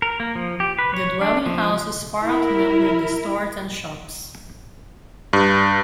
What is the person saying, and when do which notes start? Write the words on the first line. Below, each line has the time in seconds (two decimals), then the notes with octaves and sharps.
The dwelling houses far outnumbered the stores and shops.
0.02 A#4
0.20 A#3
0.35 F3
0.60 G4
0.79 B4
0.94 C#5
1.21 D4
1.46 F3
2.23 E4 A#4
5.33 G2